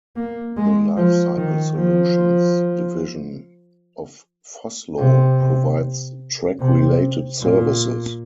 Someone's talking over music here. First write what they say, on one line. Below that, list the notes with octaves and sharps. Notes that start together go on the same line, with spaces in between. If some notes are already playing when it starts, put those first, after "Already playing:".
The Lifecycle Solutions division of Vossloh provides track related services.
A#3
G#3
F3
D#3
F3
C3
C3
A#2